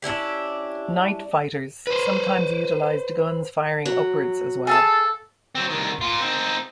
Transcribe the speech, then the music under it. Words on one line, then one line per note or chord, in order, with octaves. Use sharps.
Night fighters sometimes utilized guns firing upwards as well.
C#4 D4 E4 G4
B4 C5
F#3
G#4 A4 F5 A5
F#3 C4
C2 D#3
A#2 F4
C4 D#4